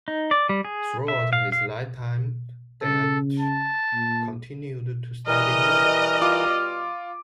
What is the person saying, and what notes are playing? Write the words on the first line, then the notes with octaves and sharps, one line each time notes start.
Throughout his lifetime, Dett continued to study music.
D#4
D5
G3
G#4
E5
F5
F5
C#3 A4
A5
A#2
B2 E3 G3 A#4 D#5 F6
F4 D6